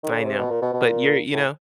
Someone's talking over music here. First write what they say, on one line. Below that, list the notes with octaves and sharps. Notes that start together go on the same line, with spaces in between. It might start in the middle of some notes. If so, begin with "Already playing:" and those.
I know. But you're you know?
D#3
D3
C#3
C3
B2
A#2
B2
B2
A#2
A2